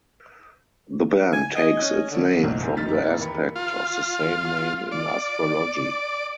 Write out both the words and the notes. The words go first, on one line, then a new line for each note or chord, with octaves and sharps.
The band takes its name from the aspect of the same name in astrology.
G#5
D#5
C#4
D3
F#1 B1
C4 E4 G4 A#4 G#5
F2 D#4 D#5 F6 A6 B6
E3 A#3 G#6
D#2 A#4 B5 C#7
F4
D5